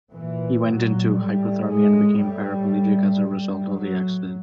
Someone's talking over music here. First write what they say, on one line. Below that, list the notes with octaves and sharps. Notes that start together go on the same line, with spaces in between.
He went into hypothermia and became paraplegic as a result of the accident.
A#2 E3
F#3
A2 G3
G#3
A2 G3
A2 G3
F#3